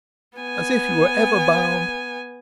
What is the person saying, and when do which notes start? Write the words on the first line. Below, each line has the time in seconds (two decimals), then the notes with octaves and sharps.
As if you were ever bound!
0.38 B3 G#5